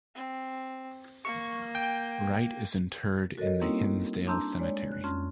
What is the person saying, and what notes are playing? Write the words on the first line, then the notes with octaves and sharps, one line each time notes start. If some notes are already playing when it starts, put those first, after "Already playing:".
Wright is interred in the Hinsdale Cemetery.
C4
A#3 C#6
G5
F#4 A4 A#4 C#5 D#5
G3 A#3 C4 C#4 D#4 E4
D4 A5 A#5 C6 E6 G6
G#3 C#5 D5
F#6
F2 C#4 C6 F6